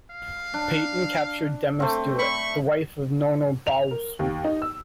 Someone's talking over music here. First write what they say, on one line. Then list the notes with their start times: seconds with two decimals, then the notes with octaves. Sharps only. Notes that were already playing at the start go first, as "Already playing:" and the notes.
Peyton captured Demasduwit, the wife of Nonosbawsut.
0.11 F5
0.54 D4
1.80 A3 C4
2.19 B5 C#6
3.67 F7
3.91 A#4
4.19 D#2
4.44 D#4
4.62 E6